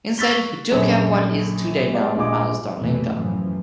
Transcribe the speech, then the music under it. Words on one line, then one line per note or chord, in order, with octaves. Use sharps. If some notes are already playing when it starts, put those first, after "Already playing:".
Instead he took up what is today known as Darlington.
C#6 E6 A6 B6 G7
A#1 F#2 G#4 A4 C#5
G#3 B3 G4 D5
A#1 F4 G#4 D#5 G#5 D6
C2 F2 B2 E3 A3
F#2 A2 E3 F3